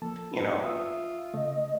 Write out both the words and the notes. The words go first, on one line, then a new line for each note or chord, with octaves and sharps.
you know,
F3 A#3 A4 A5
B3
F4 E5 D#6 E6
C#3 A3 D#5